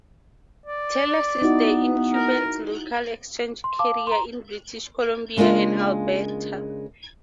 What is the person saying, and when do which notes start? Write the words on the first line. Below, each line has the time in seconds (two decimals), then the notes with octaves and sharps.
Telus is the incumbent local exchange carrier in British Columbia and Alberta.
0.66 D5
1.42 B3 D#4 E4 F#4
2.14 A#4
3.64 C6
3.79 F5 A5 D6
4.07 A#5 C6
5.37 C#3 G#3 A#3 D4 F4